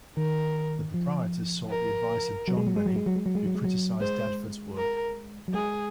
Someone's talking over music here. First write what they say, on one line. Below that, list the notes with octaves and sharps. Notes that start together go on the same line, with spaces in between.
The Proprietors sought the advice of John Rennie, who criticised Dadford's work.
D#3 A#4
F3
A#4
F#3
G#3
F#3
G#3
F#3
G#3
F#3
G#3
F#3
G#3
F#3
G#3
F#3
G#3 C5
A#4
F#3
G#3 G#4